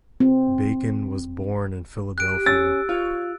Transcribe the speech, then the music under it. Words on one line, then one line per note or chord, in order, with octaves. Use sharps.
Bacon was born in Philadelphia.
C4
G4 F#6 D7
C#4 E6 A6
F4 C#5